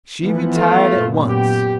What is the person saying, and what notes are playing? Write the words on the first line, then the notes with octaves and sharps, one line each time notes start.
She retired at once.
E3 F3 B3
A3 F4
F#2 A#2 B3
G4